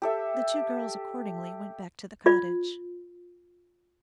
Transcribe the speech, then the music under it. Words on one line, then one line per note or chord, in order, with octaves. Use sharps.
The two girls accordingly went back to the cottage.
G4 A4 E5
F4 D5